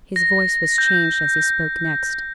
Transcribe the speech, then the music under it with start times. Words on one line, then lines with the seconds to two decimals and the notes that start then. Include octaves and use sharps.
His voice was changed as he spoke next.
0.16 A#6
0.78 G6